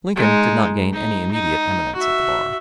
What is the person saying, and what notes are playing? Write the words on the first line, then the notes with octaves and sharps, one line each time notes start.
Lincoln did not gain any immediate eminence at the bar.
G#3 D#4
D#4
D#4
F#4 E5